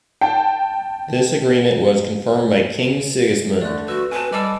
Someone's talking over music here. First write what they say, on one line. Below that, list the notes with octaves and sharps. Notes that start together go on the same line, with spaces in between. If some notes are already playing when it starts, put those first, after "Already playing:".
This agreement was confirmed by King Sigismund.
G5 A5
D3 A3 D5 F#6
F#4 B4 E6 F#6
B2 C4 B4 G#5 A5
G3 A4 D#5 A5 B5 D6 E6